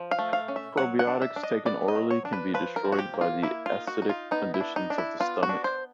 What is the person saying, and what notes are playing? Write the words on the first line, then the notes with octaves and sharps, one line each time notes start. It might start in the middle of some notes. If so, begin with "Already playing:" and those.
Probiotics taken orally can be destroyed by the acidic conditions of the stomach.
Already playing: F3
F5
A3
F5
C#4
E5
F#3 F#5
F#5
D4
E5
D4
D#5
B3 D5
D#5
F#3
C#5
D4
B4
F3 B4
A#4
F3
F#4
G4
A#3
F4
A#3 E4
F4
D#4
F#4
D#4
F4
B3 D#4
E4
D4
D#4
D4
E4
B3 F4
F#4
D4
C5